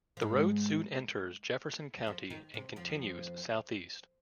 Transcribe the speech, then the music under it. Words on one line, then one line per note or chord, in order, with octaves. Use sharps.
The road soon enters Jefferson County and continues southeast.
F3
G#2 G#3
F2 F3
D#3
C3
F2 F3